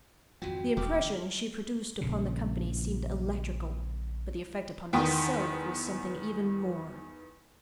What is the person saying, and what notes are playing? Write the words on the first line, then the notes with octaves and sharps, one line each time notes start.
The impression she produced upon the company seemed electrical but the effect upon myself was something even more.
G#1 F2 F#3 F4 F#4 G5
E1 D3 E3 G3 G5 D6 F6
A#1 C#3
E2 D#3 B3 G5 C6 D#6